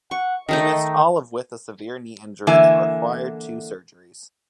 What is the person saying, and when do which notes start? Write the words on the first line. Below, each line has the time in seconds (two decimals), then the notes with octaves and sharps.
He missed all of with a severe knee injury that required two surgeries.
0.11 F#5 C#6
0.49 D#3 A3 D#4 D#5
2.47 D3 E3 A#3 E5 G#5